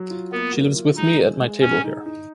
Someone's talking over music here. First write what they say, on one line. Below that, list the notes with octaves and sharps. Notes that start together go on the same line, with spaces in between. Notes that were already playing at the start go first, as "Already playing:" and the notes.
She lives with me at my table here.
Already playing: F#3
F4
A#3 B3
F#3
F4
G#3 D#4
G#3
G#3
C#4 G#4
D#4
D#4